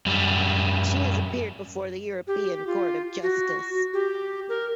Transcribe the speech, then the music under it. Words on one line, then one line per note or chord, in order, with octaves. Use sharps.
She has appeared before the European Court of Justice.
F#2 G3
G4
F4
F#4
G4
A#4